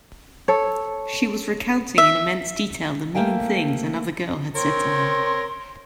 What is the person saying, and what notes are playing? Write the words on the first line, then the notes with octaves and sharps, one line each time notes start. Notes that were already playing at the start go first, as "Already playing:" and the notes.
She was recounting in immense detail the mean things another girl had said to her.
A4 C#5
E5
A3 A#3 C5 F5 G5 G#5
C4 A#4 C#5 C6